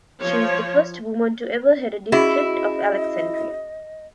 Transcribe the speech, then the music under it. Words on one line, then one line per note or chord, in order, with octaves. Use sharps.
She is the first woman to ever head a district of Alexandria.
F3 C#5
C#4 E4 F#4 G#4 D#5